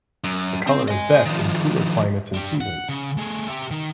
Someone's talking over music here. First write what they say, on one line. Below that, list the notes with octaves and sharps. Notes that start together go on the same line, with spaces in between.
The color is best in cooler climates and seasons.
F#2
C4
D#5 G#5
D#3 F3
D4 G4
F#5
C#3
A3 G#4
G4 E5
D#3